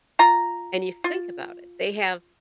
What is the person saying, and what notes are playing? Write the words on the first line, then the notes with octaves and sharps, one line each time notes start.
and you think about it, they have
F4 A#5
F4